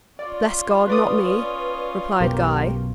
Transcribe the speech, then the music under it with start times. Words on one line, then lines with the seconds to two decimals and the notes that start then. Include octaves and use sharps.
"Bless God, not me," replied Guy.
0.19 C#4 F4 D5
0.88 B4 D5 D#6
2.20 B1 F#2 G4 A#4